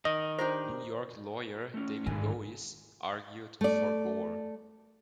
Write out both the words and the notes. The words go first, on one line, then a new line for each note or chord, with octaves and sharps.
New York lawyer David Boies argued for Gore.
D#3 D#5
D4 G4 A#4 C5
A3 C#4
G#2 D3 D#3 G#5
A3 D5